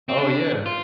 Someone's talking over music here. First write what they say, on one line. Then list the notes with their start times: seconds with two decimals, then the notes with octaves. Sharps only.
Oh, yeah.
0.09 C4
0.18 D4
0.66 F4